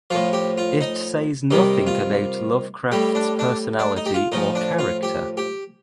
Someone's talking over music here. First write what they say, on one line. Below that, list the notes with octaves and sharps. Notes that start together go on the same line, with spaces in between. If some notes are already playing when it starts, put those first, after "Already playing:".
It says nothing about Lovecraft's personality or character.
A2 F3 F4
G4
F4
D#4
C3 D#3 G3 D#4
F4
A2 G3 G4
D4
D4
D4
D#4
G4
F4
A2 F3 D#4
D4
F4
G4
G4